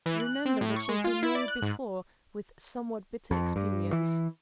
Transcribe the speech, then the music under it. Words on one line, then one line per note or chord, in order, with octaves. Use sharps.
Remember that she has been married before, with somewhat bitter experience.
E3
F#6
F#6
C4
A2
C#6
G#3
F4
E4
D5
F#6
G#2
F2
G2
E3